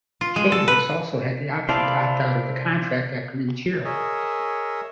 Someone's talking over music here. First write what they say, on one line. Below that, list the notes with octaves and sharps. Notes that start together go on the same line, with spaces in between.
Childress also had the option to opt out of the contract after each year.
F4
G#3
A4
B4
C3 E4 C5 D5 F5 A5
G#4 A#4 C#5 D#5 E5